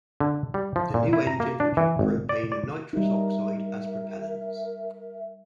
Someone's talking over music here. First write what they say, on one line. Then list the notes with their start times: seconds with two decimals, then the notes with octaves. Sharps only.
The new engines would use propane and nitrous oxide as propellants.
0.20 D3
0.54 G3
0.76 F3
0.94 A#2
1.13 E4
1.27 A#5
1.40 A#3
1.60 D4
1.77 E3
1.99 G#1
2.29 D5
2.52 D5
2.93 G3 D#4 A#4 E5